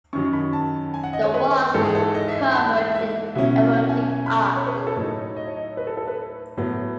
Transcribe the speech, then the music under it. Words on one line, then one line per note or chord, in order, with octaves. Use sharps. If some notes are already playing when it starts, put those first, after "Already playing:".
The walls were covered in erotic art.
F#2 D#3 F#3 C#6
B5
A5
G#5
F#5
D#5
C#5
B4
G#2 E3 G#3 A4
G#4
A4
D#5
E5
A5
E5
B2 F#3 C#4 E4 E5
F#5
G#5
G#5
B5
C#6
B5
C#5
B4
G#4
A4
A2 F#3 A3 D#4 C#5
D#5
C#5
D#5
B4
A4
A4
B4
A2 F#3 B3